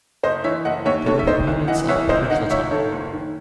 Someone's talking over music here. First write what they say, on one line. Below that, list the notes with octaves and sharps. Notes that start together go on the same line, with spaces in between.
They were proponents of provincial autonomy.
F#1 C5 D#5
E3 C#5 E5
F#1 D#5 F#5
D#2 C#5 E5
D#2 A4 C#5
E5
D#3 C5 D#5
C2
E3 D#5 F#5
C2 C#5 E5
C#2 C5 D#5
D#3 D#5 F#5
C#2 C#5 E5
D#3 A4 C#5
F#1
D#3